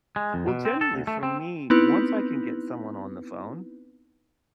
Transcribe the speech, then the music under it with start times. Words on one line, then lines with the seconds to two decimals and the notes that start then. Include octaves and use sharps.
Well, generally, for me, once I can get someone on the phone,
0.16 G#3
0.34 F2
0.48 B2
0.65 C4
0.81 A4
0.94 D2
1.07 A3
1.23 C4
1.70 B3 C4 D#4 E4 B4